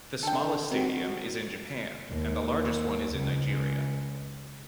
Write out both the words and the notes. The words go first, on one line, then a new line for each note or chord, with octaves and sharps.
The smallest stadium is in Japan, and the largest one is in Nigeria.
D3 A4 G5
D#3 C4 F#4
D#2
C#2